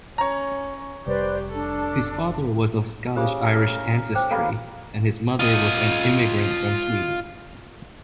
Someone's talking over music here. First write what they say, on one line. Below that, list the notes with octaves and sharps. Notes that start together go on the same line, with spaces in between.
His father was of Scottish-Irish ancestry and his mother was an immigrant from Sweden.
C#4 C#5 A#5
F1 C3 G3 G4 B4 C5 D5
D4 A4
C#3 G4 C5 D6
A#4
C5 G5 D6
A#3 A4 B4 F5
F4 D#5